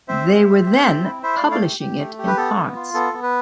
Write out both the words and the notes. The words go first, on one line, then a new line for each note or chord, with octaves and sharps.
They were then publishing it in parts.
C4 C5 E5
G4
G4
G4
C4
E4
E4 C5 E5
A3 D5 F5
D5 F5
G4
G4
A3
G4
B4
B3 A4
B3
F4
B3 A4
B3
B4